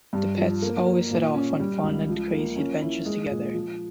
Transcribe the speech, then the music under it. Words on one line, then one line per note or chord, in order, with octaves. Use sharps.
The pets always set off on fun and crazy adventures together.
G2
F3
A#3
A#3
A#2
C#4
G3
C#2
F3
A#3
C#4
E4
G#3
A#2
F3